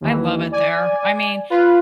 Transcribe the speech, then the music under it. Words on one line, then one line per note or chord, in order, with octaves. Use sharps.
I love it there, I mean
D#2 E3
D5 G#5
F4 B4